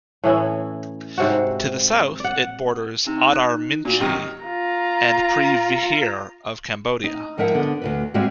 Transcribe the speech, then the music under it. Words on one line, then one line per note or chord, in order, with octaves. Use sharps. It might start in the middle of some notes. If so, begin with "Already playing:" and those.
To the south it borders Oddar Meancheay and Preah Vihear of Cambodia.
A2 E3 C#4 E4
G#2 C3 F#4
D5 F#5
C3 D#4
F#6
A#2 F#4
F#2 C3 D#3 G4
F4 A#5
D#4
G#2 F3 G#3 A#4 E5 F#5
D3 B3
D2 C#3 B4
G#2 G3 G#3 C4 F#4 E5